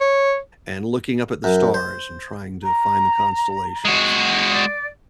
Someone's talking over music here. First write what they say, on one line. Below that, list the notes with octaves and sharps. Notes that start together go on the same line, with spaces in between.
and looking up at the stars and trying to find the constellations, and,
C#5
F#2
C5
A#5
G#3 F#4
D5